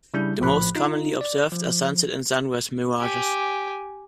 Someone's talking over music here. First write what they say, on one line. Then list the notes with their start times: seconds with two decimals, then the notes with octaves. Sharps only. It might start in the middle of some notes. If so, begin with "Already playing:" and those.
The most commonly observed are sunset and sunrise mirages.
0.14 C#3 G3 D4 E4 G6
0.40 A#1 A2 F3 B5 F#6
0.75 D#4 F4
1.21 D5
1.52 F3
2.99 G4 G#5